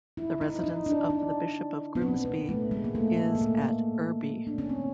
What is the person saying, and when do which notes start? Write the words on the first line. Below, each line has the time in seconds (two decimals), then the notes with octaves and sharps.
The residence of the Bishop of Grimsby is at Irby.
0.17 E4
0.41 D#4
0.64 D#4
0.86 D4
1.10 D4
1.95 B3
2.02 C4
2.25 B3
2.49 A3
2.71 G#3
2.84 A#3
2.95 A3
3.35 A#3
3.41 A3
4.47 D4
4.58 C#4
4.69 C4